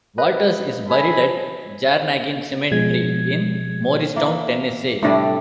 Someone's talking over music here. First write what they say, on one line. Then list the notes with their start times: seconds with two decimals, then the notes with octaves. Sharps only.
Walters is buried at Jarrnagin Cemetery in Morristown, Tennessee.
0.18 A#4 B4 D#5
0.88 A4 G#5 B5
2.72 B2 F3 G#3 G#6
4.16 E3 A#3
5.02 A2 C3 G3 A3 D4 E4